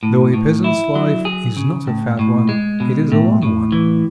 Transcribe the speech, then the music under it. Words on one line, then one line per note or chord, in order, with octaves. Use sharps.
Though a peasant's life is not a fat one, it is a long one.
A2
A2
E4
F#3
G#4
C#3
A2
A2
G#3
B2
A2
A2
E3